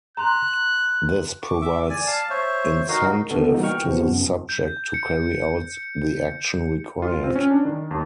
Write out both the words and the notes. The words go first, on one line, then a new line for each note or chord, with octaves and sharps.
This provides incentive to the subject to carry out the action required.
A#5 C6 F#6 F7
C#6 D6
E5 D6
D5 G#5
F5 A5
C5 C#5 E5
D#4 F#4 A#4 F5
D3 B3 A4
E3 G3 A#3 D#4 F#4
G5 C#6 F6
C3 F3 B3
F#2
G6
C#7
F4
C4
C#4
D4
D#3
D#2